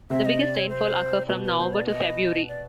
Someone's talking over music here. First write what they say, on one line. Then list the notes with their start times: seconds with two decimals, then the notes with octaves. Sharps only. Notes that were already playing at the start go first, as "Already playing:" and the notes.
The biggest rainfall occur from November to February.
0.10 C3 C4 E5
0.25 D#5
0.41 D5
0.56 C#5
0.69 C5
1.29 B2 B3 B4
1.44 B4
1.59 B2 B3 C5
1.73 D5
1.88 D#5
2.49 D5